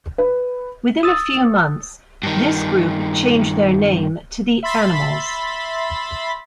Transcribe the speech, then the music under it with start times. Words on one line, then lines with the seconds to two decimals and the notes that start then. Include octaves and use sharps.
Within a few months, this group changed their name to the Animals.
0.18 B4
1.03 D#6 E6 A6
2.23 G2 D#3
4.63 E5 B5 C6 A6 B6